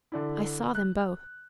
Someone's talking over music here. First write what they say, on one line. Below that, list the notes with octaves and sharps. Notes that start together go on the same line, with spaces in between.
I saw them both.
D3 D4 E4
F#6